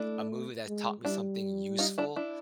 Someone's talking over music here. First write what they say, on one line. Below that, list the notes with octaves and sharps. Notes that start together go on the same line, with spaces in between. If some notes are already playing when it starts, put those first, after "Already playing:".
a movie that taught me something useful,
Already playing: A3 D4 E4
G#3
G3 D4 E4
D#4 F4
D4 E4
D4 E4